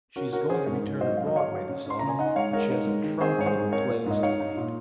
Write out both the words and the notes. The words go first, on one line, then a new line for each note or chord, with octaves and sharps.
She is going to return to Broadway this autumn, and she has a trunkful of plays to read.
C#4 F#4 A#4
C#4 F#4 A#4
C#4 G#4 C5
G#2 A#4 C#5
G#2
F#3 C5 D#5
F#3 F5
D#5
F#3 C#5 F5
F#3
C#4
C#4 C6
C#3 A#5
G#5
D#4 D#5 F#5
G#3 C#5 F5
G#3 A#4 C#5
D#4
G#3
D#3
C4 G#4 C5
G#2 C#5
G#4 C5
G#2
C4 A#4 C#5
F4
G#2 D#5
D#4 C#5 F5
D#4
A#2